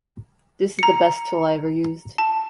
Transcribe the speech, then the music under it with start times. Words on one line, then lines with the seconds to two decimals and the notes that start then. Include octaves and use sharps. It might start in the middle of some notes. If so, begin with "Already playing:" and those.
This is the best tool I've ever used.
0.79 A#5 C#7
2.18 A5